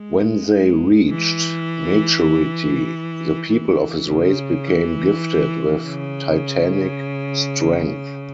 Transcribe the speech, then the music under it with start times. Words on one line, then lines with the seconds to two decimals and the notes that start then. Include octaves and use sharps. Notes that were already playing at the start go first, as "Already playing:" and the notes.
When they reached maturity, "the people of his race became gifted with titanic strength".
Already playing: G#3
1.11 E3
3.48 E3
4.07 C#3
4.67 E3
5.85 C#3